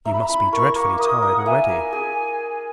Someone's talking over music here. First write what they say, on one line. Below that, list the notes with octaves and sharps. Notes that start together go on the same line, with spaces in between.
'You must be dreadfully tired already.'
E5 A#5
B5
A#5
E4 B5
A#4 C#6
A#3 C#6
A#3 D#6
A#4
F#5
E5 G#5
A#4
G#4